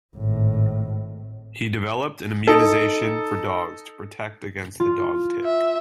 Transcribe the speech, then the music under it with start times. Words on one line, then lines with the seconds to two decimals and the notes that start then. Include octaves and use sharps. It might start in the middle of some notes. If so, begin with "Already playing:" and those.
He developed an immunization for dogs to protect against the dog-tick.
0.16 G#1 A2
2.47 D#4 A4
4.80 F4
5.44 E5